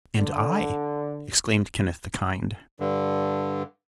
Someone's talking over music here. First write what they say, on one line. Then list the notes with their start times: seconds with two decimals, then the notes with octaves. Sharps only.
"And I," exclaimed Kenneth the Kind.
0.16 D3
2.80 G2 D3